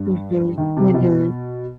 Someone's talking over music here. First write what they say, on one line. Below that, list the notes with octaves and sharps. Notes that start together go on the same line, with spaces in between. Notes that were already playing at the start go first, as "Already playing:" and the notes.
Mhm, mhm.
Already playing: G2
D#3
C3
B2